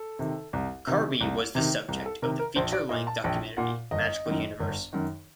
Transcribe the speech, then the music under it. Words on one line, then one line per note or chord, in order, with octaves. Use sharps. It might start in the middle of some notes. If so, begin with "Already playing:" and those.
Carbee was the subject of the feature-length documentary Magical Universe.
Already playing: A4
C3 D#3
C2
C3 D#3
C2
C3 D#3
C2
A4
C3 D#3 A#4
A#4
A#1 C5
D5
A#2 D#5
A5
A#1 G5
A#2 F#5
G1 D#5
F#2 D#3
G1
F#2 D#3